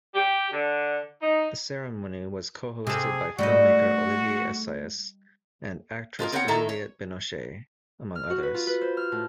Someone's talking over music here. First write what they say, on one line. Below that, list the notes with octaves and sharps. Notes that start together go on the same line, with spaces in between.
The ceremony was co-hosted by filmmaker Olivier Assayas and actress Juliette Binoche, among others.
G4
D3
D#4
C3 G#4 A4
G#2 G3 A3 F#4 D#5
G#3 F4 G#4 A#4
B3 C4 A#4 C#5 F5 F#5
A2 D#3 E4 A4 A#5
C#5
F6
F#4
B4
F4
B4
C5
F6
A2